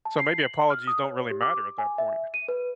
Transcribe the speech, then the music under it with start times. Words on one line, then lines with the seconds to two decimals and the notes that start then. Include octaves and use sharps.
so maybe apologies don't really matter at that point.
0.05 A5
0.19 C7
0.38 F#7
0.70 F6
0.87 D#6
1.05 C#5
1.31 G4
1.42 D6
1.78 G#5
1.98 E5
2.34 D#7
2.48 B4